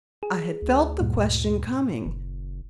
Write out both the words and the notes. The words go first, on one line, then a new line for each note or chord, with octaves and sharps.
I had felt the question coming.
G#4
D2
G2 A#2
F#1